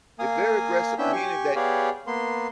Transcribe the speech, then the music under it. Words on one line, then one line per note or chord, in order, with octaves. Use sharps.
They're very aggressive, meaning that
A#3 F5 G#5 D#6
B3 C#4 D4 E4 E5 G5
G4 G#5 C#6
B3 G4 G#4 C#5 D5 F5
A#3 B3 C6